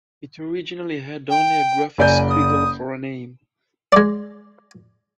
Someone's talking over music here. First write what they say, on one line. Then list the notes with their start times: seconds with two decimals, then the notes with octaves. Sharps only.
It originally had only a graphic 'squiggle' for a name.
1.30 G5
1.98 F#1 D5 G#5 G6
2.29 D#6
3.92 G#3 D5